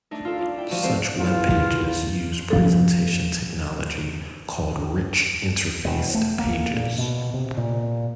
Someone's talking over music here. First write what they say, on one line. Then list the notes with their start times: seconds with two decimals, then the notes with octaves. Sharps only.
Such web pages use presentation technology called rich interfaced pages.
0.11 A3 D4 D#4
0.25 F4 A4
0.39 F4 D5
0.57 E4 G5
0.68 F3 A3 F#4 D#7 E7
0.82 G#3 A#3 C4 G4 A4 C5
1.20 E2 F4
2.50 F3 A4
5.85 E1
6.14 A3
6.39 A#3
6.74 A#2
6.98 B2
7.34 C3
7.57 A#2